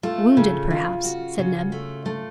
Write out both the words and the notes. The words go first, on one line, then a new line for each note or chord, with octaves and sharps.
"Wounded, perhaps!" said Neb.
A3 F4
C#3
C#3 F4
F#4
C#3
A3
A3